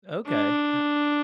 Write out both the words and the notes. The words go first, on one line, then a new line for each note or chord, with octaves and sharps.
Okay, ho
D4